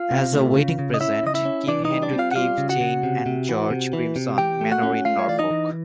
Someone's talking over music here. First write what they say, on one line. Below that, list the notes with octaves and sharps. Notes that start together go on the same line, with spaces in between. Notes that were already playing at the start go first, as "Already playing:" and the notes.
As a wedding present, King Henry gave Jane and George Grimston Manor in Norfolk.
Already playing: F4 F5
C3
A3
C#3
C#3
D#5
C#4 E4 E5
C#3 D#5
E4 E5
C#4
E3 D4 D5
D#4 D#5
G3
D4 D5
C4
F4 F5
F#5
G3 F4 F5
C#3
F#4 F#5
C#3
C3
C3
E3
C3
E3
C3
E3 G4 G5
A3
F#4 F#5
C#4
A3 F4 F5
C#5
E3 D5
D#4 D#5
E3